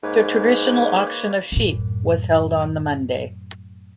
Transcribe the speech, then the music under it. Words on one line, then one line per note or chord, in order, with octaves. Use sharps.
The traditional auction of sheep was held on the Monday.
G#2 A#3 B4 C#5
F#2 A2